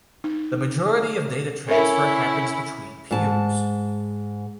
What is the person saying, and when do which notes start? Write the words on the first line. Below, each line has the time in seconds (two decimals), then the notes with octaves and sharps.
The majority of data transfer happens between peers.
0.24 D#4
1.68 C#4 E4 A4 A#4 E5
3.11 G#2 A5